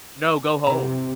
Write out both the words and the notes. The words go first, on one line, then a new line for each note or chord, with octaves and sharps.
"No, go home.
C3 E3 A#5